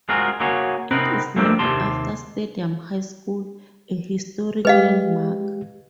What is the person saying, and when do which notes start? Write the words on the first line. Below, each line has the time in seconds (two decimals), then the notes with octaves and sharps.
It is named after Stadium High School, a historic landmark.
0.09 G#3 C4 F4 F#4 G#4 A#4
0.40 A#3 F#4 G#4 C#5
0.91 C3 B3 C4 D#4 A#4 B4
1.36 F3 A3 A#3 C4 D4
1.59 D#2 C3 G4 A5 C6
4.65 G#3 G4 B4 D#5 F5